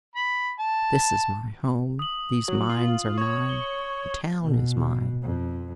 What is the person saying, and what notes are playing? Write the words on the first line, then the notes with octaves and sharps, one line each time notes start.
This is my home, these mines are mine, the town is mine.
B5
A5
D#6 F#7
F#3
F4
C#5 C#6 G#6
G7
B2
F2